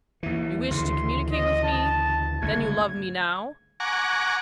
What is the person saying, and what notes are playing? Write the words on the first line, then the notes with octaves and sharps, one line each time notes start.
"You wish to communicate with me;--then you love me now?"
D#2 E3
D2 C#3 E3 C6
D#5
A5
G1 C#3 A3 G#6
F#5 G#5 A#5 C#6 D6